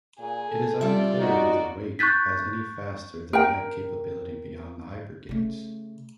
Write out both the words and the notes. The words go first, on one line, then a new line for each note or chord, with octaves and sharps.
It is unclear whether Wake has any faster than light capability beyond the hypergates.
A#2 G#4
A4
G3 F4 D5 E5
D#4 F#4
C#6 F#6 G6 A6 B6
A#4 G5
C#3 A3